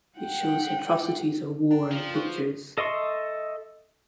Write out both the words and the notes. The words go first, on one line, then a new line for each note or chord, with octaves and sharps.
It shows the atrocities of war in pictures.
F#5 G5
D4 D5 G5 A#5
F3
F#4 B4
A4 D#5 E5 C6 C#6